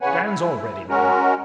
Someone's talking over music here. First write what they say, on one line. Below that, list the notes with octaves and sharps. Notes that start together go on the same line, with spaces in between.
Dan's already now.
E2 C#3 B4 C#5 F#5 G#5
E4
G#3 C#4 F#4 A#4